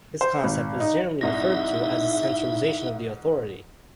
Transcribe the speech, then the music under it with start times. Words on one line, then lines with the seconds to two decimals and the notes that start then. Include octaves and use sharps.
This concept is generally referred to as the centralisation of the authority.
0.21 C5
0.43 G#1
0.80 D#4
1.21 C2 G#2 D#4 E4 E5 A#6